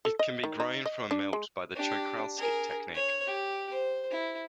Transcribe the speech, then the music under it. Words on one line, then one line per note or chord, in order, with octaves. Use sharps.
It can be grown from a melt by the Czochralski technique.
A4
D#5
D#3
D#4
D#5
D4
G#3
D4 G4
G#4 A#4
C#5
G4
C5
E4